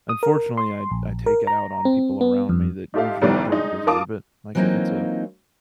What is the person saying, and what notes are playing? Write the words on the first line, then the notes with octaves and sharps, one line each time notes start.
unfortunately, I I take it out on people around me that usually don't deserve it. Like, if it's a
D#6
A#4
C6
A#1
A#4
A#5
C4
B3
F2
D#4 F4 G4 A4 E5 F5
F1 C2 D#3 G3 B3 D5
G#3 D4 D#4
F4 A#4 F5 A5 D6 D#6
E3 F#3 A#3 C4 D#4 F4